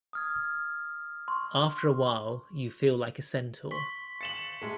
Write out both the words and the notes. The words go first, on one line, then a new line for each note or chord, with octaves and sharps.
After a while you feel like a centaur.
D#6 F6 G#6
C6 C#6
C6 C#6 B6
A6 C#7 E7 F#7
A2 G#3